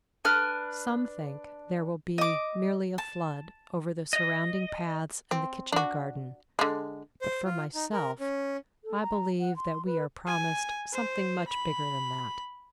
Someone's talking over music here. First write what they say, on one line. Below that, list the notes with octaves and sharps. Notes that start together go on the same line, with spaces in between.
Some think there will be merely a flood over the surrounding paths and the kitchen garden, but for myself I believe that we are promised something much bigger than that.
D4 B4 F6
D#5 D6
A5
D#5
C4
D4 F#4
D3 G#3
C5
F4
D#4
A#4
C#4
A4
A#5
F#5
C6
B4
G#5
C5
B5